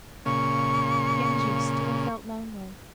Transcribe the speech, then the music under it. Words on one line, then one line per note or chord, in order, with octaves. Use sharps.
Genji still felt lonely.
A#2 C#3 C#6